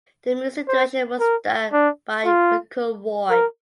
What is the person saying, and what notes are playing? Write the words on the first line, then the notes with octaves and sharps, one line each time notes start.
The music direction was done by Mukul Roy.
C5
A#4
D4
F4
A#4